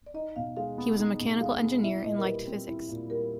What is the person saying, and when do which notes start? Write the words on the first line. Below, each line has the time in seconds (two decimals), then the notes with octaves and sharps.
He was a mechanical engineer and liked physics.
0.06 D5
0.14 D#4 D#5
0.36 B2 F5
0.57 G#3 F5
0.78 B3
0.99 D#4
1.20 B2
1.40 G#3 F5
1.62 B3
1.83 E4 E5
2.04 A#2 D#5
2.18 A#4
2.25 G3 B4
2.47 C4
2.67 E4
2.88 A#2
3.10 G3 A#4